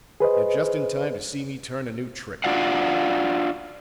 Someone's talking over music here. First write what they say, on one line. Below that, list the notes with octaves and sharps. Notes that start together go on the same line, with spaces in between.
You're just in time to see me turn a new trick.
G#4 B4 C5 D#5
D4 F4 F#4 D5 F5 F#5